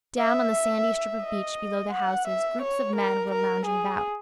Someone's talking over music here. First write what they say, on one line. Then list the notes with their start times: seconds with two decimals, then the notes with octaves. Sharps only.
Down on the sandy strip of beach below the houses groups of men were lounging about.
0.18 E5
1.22 D#5
1.92 F#5
2.28 E5
2.62 C#5
2.96 A#4
3.32 A#4
3.66 G#4